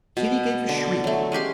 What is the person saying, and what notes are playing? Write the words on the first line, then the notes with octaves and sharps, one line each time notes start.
Kitty gave a shriek.
B2
D3
F#3 A3
G#3 C#4 G4 C6